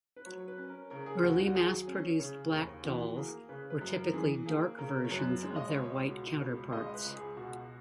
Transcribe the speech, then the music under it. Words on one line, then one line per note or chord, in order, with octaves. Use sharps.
Early mass-produced black dolls were typically dark versions of their white counterparts.
B4
F#3 C#5
B4
C#4
A#4
C#3 A#4
G#4
D#2 F#4
F#4
F#3 G#4
C#4
C#3
D#2
E3 F#4
A#3 G#4
C#3 B4
B4
F#2
A#4
E3 G#4
A#3 G#4
C#3 A#4
C#5
F#2 B4
G#3 C#5
D#5
C#5
C#2
B2
C#2
G#3 D#5
B4
C#2
G#4
B2 F#4